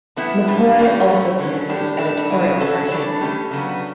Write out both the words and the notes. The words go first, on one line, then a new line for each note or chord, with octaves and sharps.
McCoy also produces editorial cartoons.
A2 E3 B3 E4 A4
B2 G3 B3 D4
A2 E3 G3 C#4
F#3 A3 C#4
D3 F#3 C#4
A2 G3 D4 G4
A2 G3 D4 A4
B2 F#3 B3 E4
D3 F#3 C#4 F#4 A4
E3 G3 D4 A4
D3 A3 C#4 G4
C#3 F#3 B3